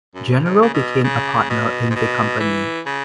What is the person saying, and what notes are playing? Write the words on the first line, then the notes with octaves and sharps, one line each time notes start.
General became a partner in the company.
F#2
G#2
C#3
B2
C#3
B2
G#2
B2
E3
C#3